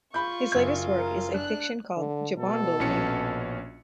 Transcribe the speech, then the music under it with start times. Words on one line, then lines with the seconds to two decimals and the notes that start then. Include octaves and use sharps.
His latest work is a fiction called "Jibondhuli".
0.14 F4 B5 C#6 G6
0.52 F#1 G#6
0.97 A#4
1.34 D4 F#6
1.97 D3
2.38 B2 A4
2.80 A#1 C#4 C#7